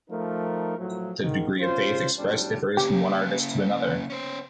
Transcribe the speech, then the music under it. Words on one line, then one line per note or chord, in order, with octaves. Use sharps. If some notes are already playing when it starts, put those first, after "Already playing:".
The degree of faith expressed differs from one artist to another.
F3 A3 D#4 A#4
A2 F3 F#3
G#2 D#3
G#1 C#4 F4 C5
A1 E2 F#3 G3 D4
C#3 A#3 G4
C#4 C5